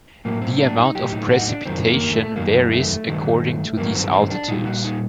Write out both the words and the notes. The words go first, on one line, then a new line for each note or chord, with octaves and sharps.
The amount of precipitation varies according to these altitudes.
A2 F#3 A#3
C4
D4
D#4
A2 F#3 G4
D#4
F#4
D#4
D4
F#2 D#3 F#3 C4
A#3
A3
F#2 D#3 F#3 A#3
A3
G2 D#3 F#3
G2 D#3 F#3 A#3
C4
C4
D4
A#2 G3 D#4
F#4
D#4